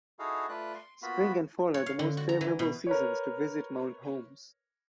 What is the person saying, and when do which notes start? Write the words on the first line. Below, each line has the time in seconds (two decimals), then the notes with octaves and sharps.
Spring and fall are the most favorable seasons to visit Mount Holmes.
0.19 D#4 E4 F#4 G#4 A4 F5
0.49 A3 F4 B4 D5 F#6
0.75 C6
1.02 A#3 B3 F4 F#4 B5
1.74 C#5
1.86 F5
1.99 D3
2.17 F#4
2.29 A#5
2.41 E3
2.59 B2
2.87 A#4 B4 C#5